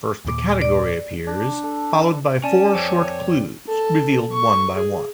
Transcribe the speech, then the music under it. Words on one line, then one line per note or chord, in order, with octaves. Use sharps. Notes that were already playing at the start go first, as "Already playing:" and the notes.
First the category appears, followed by four short clues revealed one by one.
D#2 A#2 D6
D5
D4
A4
C#4 D5 G#5 A5
F2 C4 C#5 D6
A4
C#6
G#4